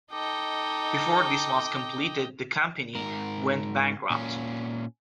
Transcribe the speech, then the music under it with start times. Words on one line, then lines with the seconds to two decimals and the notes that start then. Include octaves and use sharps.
Before this was completed, the company went bankrupt.
0.12 D#4 A4 D#5 G5 D6
2.95 G#2 A#4
4.10 A#2 C#4